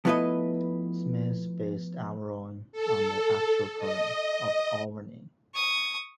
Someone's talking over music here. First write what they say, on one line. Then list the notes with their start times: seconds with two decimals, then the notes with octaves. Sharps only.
Smith based Averoigne on the actual province of Auvergne.
0.05 F3 A3 B3 E4 B4 D#5
2.72 A4
3.78 D#5
5.54 C#6 D#6